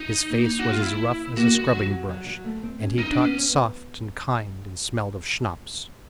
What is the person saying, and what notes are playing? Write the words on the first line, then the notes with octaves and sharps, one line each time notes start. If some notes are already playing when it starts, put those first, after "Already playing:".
His face was as rough as a scrubbing brush, and he talked soft and kind and smelled of schnapps.
Already playing: D#4
A#3
F#4
F4
E4
A#3 F#4
G#3
F#3
F#3
F#3
F#3
A3
C4
C#4
C4 D#4
D4
B3 C#4